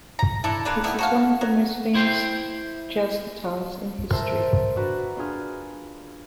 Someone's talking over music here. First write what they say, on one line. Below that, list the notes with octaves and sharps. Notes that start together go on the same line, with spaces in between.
It is one of the most famous jazz guitars in history.
A#5
D4 E4 A4
G#3 A#3 D4 B4
D#3 B3 D4 E4
F#4 A4 F5
F#3
E4 C5 G5 C6
A#4 C5 E5 A5
D4 F#4 B4 A#5
D4 F4 G#4 F6